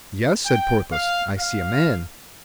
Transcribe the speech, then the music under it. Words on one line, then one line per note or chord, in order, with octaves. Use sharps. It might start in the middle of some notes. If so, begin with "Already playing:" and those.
"Yes," said Porthos; "I see a man."
G5
F5
F5